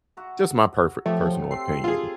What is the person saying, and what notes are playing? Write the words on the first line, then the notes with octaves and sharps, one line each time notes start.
Just my perfe personal opinion.
F#4 E5 A#5
F3 A3 G4 C#5
C4 G4 A4 C7
F4 G#4